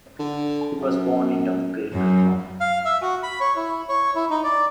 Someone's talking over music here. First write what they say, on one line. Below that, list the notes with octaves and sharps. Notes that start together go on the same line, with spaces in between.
He was born in Dunkirk, Nord.
D3
F#2
F#2
F5
E5
F#4
B5
C#5
E4
C#5
E4
D#4
D5